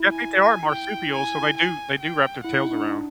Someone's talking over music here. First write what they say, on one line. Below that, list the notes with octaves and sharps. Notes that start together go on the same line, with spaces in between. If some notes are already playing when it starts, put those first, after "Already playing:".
Yeah, I think they are marsupials, so they do they do wrap their tails around.
Already playing: E4
G#5
G#5
G5
G#5
G#5
G5
E4 F#5
E4
D#4
D4